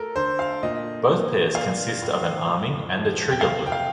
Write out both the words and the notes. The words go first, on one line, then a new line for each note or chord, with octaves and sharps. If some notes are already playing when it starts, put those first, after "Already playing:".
Both pairs consist of an 'arming' and a 'trigger' loop.
Already playing: A3 A4 A#4
D3 C5
F5
A#2 D#5
A#2
D4 F5
A2
F2
F3
G5
C3 F5
G5
F5